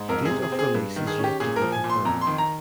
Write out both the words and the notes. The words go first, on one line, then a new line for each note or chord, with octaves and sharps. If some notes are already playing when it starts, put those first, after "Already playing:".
Date of release is yet to be confirmed.
Already playing: G#2
F2 A#4
G#4
C3
G#4
C4
G#4
G2
D#3
G#4
C#4
G4
A#2 G#4
A#4
F3
G#5
A#2
C6
F2 A#5
C6
D#3
A#5